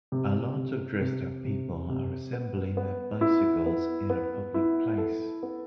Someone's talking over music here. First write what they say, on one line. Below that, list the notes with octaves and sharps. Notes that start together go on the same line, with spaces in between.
A lot of dressed-up people are assembling their bicycles in a public place.
C3
C3
C3
C3
C3
B3
B3
E4
B3
B3
E4
A4
B3